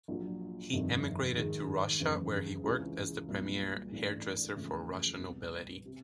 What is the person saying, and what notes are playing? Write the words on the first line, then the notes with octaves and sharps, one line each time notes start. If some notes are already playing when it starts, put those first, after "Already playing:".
He emigrated to Russia, where he worked as the premier hairdresser for Russian nobility.
A#1 A#2 F#3
G1 F2 C3 D#3
G#2 D#3 G#3
F#1 E2 C#3
C#2 C3 E3 G#3 C#4
C2 A#2 F#3 B3
A1 G#2 E3 A3 D4
E1 E2 C#3 F3 A3
C2 B2 G3 B3
C3